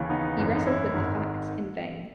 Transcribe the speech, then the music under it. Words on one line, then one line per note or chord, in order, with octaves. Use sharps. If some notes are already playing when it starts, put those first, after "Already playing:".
He wrestled with the facts in vain.
Already playing: D#2 C#3 E3
B3 D#4
G#1 F#2 E3
D#4
C#4 E4
G#1 G#2 D#3